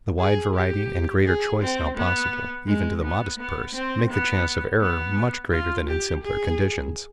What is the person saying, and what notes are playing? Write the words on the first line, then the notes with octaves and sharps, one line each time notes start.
The wide variety and greater choice now possible, even to the modest purse, make the chance of error much greater than in simpler conditions.
G#4
G4
G#4
C4
B3
G#3
B3
B3
C4
B3
B3
F4
G4
G#4